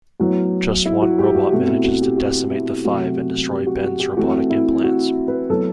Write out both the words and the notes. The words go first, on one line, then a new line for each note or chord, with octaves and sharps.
Just one robot manages to decimate the Five and destroy Ben's robotic implants.
A2 F#3 B3 F#4
E4
F#4
G4
F#4
B2 A3 C4 F#4
E4
F#4
G4
F#4
E4
C3 F#3 A3 C4 F#4
F#4
G4
F#4
F#4
G4
E3 A3 C4 F#4
E4
F#4
B4
A2 F#3 B3 A4